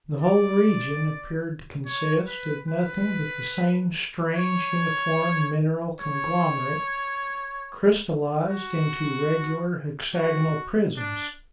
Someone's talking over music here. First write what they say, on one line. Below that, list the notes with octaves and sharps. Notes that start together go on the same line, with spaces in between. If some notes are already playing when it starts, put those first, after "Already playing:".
The whole region appeared to consist of nothing but the same strange, uniform mineral conglomerate, crystallized into regular hexagonal prisms.
D5
C#5
B4
B4
C#5
C#5
F#4
F#4
D4